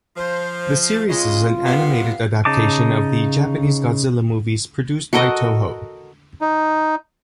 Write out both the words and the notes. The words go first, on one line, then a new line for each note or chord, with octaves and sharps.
The series is an animated adaptation of the Japanese "Godzilla" movies produced by Toho.
F3 C5
C#3 G#3 F4 D#5
C3 G3 B3 F5
C#3 D#4 A5 D6
F#4 A4 A#4 D#5
D#4